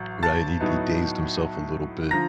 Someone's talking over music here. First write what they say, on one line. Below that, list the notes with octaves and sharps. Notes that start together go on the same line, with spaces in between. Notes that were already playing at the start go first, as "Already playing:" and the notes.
Right? He d he dazed himself a little bit.
Already playing: A1 F#3
A5 A6
A2 F#3 B3 D#4
D3 F3 A#5 A#6